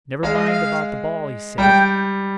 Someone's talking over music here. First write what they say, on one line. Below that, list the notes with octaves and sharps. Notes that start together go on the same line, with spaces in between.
"Never mind about the ball," he said.
G#3 F5
D#5
F5
G3 G5